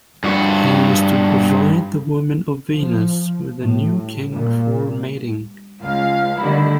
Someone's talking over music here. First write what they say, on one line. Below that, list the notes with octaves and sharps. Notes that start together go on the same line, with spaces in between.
He is to provide the women of Venus with a new king for mating.
G2 F#4
F3
A2
A#2
C#2 F5
D3 D#3 G3 A3 E4